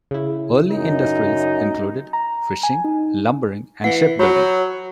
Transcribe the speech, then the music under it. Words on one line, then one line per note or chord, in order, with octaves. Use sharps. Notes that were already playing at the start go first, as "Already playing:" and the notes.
Early industries included fishing, lumbering and shipbuilding.
C#3 E4
F#2 D#4
A#5
G#5
D#4
E3 F#5
F#3 F#4 C#5 B5